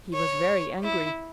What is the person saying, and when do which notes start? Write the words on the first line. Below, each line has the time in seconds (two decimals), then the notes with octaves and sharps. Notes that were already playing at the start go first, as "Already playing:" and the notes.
He was very angry.
0.14 C#5
0.83 E4